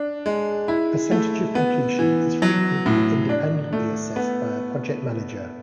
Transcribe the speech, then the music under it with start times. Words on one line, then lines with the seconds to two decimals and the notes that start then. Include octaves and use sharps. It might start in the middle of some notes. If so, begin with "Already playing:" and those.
Percentage-of-completion is frequently independently assessed by a project manager.
Already playing: D4
0.26 G#3
0.68 E4
1.11 A3
1.55 B3
1.99 E3
2.42 F#3
2.86 A2
3.29 D4
3.73 A3
4.16 B3